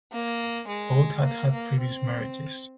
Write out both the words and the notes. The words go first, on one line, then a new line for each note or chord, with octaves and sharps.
Both had had previous marriages.
A#3
G#3
A#3
A#3
C4